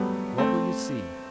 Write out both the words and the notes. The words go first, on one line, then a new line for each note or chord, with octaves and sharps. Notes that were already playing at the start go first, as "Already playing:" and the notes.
What will you see?
Already playing: F#3 G3 A3 B3
A3 C4